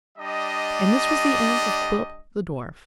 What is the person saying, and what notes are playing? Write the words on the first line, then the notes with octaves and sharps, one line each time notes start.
And this was the end of Quilp, the dwarf.
G3 D4 D#5